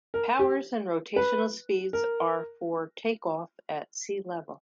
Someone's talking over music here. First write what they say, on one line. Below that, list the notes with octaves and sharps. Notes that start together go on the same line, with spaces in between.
Powers and rotational speeds are for take-off at sealevel.
A#4
G4
B4
A#4